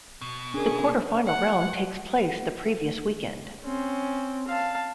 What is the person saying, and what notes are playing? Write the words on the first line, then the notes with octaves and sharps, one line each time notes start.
The quarterfinal round takes place the previous weekend.
B2
C#4 D4 G#4 A#4
F#5
C4 C#4
F5 A5